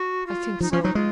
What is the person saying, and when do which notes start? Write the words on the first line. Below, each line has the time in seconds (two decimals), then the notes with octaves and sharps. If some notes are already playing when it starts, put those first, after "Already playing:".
I think so.
Already playing: F#4
0.26 F4
0.61 F3 D#4
0.71 F3 C#4
0.83 F#3 D#4
0.95 G#3 F4